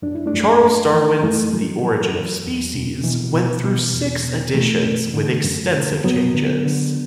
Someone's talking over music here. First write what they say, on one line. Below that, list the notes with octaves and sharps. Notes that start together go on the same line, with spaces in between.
Charles Darwin's "The Origin of Species" went through six editions with extensive changes.
F#2 D4
E4
A3 D4
F#2
F#2
E3
F#2 E3 A3
E3 F#3
E3 F#3
F#2
E2
B2
B2 E3
B2
B2
E2
B2
B2 E3 A3
F#2
D3
F#2
D3
F#2 F#3 B3
D3
D3